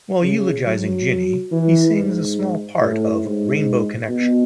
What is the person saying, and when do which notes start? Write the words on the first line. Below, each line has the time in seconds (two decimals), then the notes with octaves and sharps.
While eulogising Ginny, he sings a small part of "Rainbow Connection".
0.23 C#3
0.66 F#3
1.52 E3
1.95 G#2
2.81 A2
3.24 G#2
4.09 B2